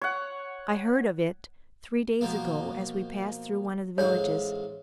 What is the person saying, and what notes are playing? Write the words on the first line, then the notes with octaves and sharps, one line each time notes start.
I heard of it three days ago, as we passed through one of the villages.
C#5 F#5
B2 F3 A#3
A1 G#2 C#5 F5